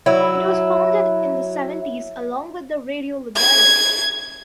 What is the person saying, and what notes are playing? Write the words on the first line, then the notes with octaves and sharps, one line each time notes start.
It was founded in the seventies, along with the "Radio libere".
F#3 E4
G#6